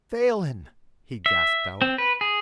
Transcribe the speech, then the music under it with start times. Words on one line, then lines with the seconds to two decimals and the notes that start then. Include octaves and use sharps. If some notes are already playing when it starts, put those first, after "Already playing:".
"Phelan!" he gasped out.
1.26 E5
1.82 C4
1.98 B4
2.21 G#4